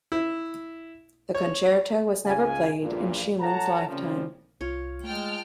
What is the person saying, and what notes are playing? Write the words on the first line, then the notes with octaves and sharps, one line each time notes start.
The concerto was never played in Schumann's lifetime.
E4
C#5
C#2 G#2 F5 G#5
A#1 E2 G2 A#2
A4 C#5 F#5 A5 A#5
C#3 F3 G3 A#3 C4 C#4
C2 F4 C#5
G#3 A3 G5 A5 F6